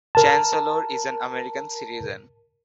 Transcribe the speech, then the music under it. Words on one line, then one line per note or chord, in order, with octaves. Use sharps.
Chancellor is an American citizen.
A#4 A5